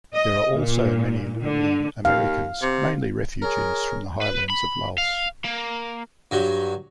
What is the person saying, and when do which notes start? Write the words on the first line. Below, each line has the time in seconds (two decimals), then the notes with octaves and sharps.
There are also many Iu Mien Americans, mainly refugees from the highlands of Laos.
0.15 D#5
0.54 A#2
1.43 D3
2.05 D#2 F5
2.62 C3
3.42 G#4 A#4 C#5
4.21 B4
4.49 B5
4.98 F5
5.45 A#3
6.31 G2 F#3